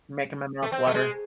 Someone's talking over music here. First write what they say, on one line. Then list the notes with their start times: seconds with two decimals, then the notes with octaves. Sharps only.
Making my mouth water.
0.62 A3
0.72 C4
0.87 A3
0.94 G#3